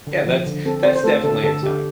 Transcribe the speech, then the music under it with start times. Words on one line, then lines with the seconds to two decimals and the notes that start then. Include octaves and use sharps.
Yeah, that's that's definitely a time.
0.07 D3
0.27 F3
0.46 D3
0.65 C4 A4
0.84 C4 C5
0.96 C5
1.04 A3 A4
1.24 D3 A4
1.44 D3 A4
1.63 D3 G4